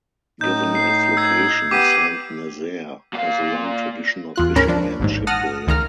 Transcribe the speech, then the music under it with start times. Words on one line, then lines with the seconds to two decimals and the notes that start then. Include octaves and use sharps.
Given its location, Saint-Nazaire has a long tradition of fishing and shipbuilding.
0.41 A2 D#4 G6
0.75 C7
1.17 E6 G#6 C7
1.71 B3 G4 D6 D#7
3.14 A#2 F5
4.36 E2 F4 F#6
4.55 D2 G#2 C#4 A#4 B5
4.68 F3 D4
5.00 A1 D#2 G#2
5.27 F#5 A5 D#6 F6 A#6
5.67 C#2 D#3 A#5 F6